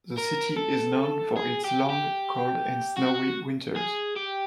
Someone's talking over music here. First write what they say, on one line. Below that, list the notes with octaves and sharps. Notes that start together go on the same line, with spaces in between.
The city is known for its long, cold and snowy winters.
A#4
A4
G#4
G4
G4
F#4
G#4
G4